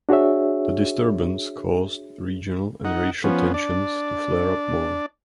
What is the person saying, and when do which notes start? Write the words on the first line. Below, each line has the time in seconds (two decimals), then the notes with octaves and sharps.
The disturbance caused regional and racial tensions to flare up more.
0.09 D4 F#4 G#4 C#5 E5
2.85 D#4 F#5
3.24 F3 B3 C#4
3.54 D4 D5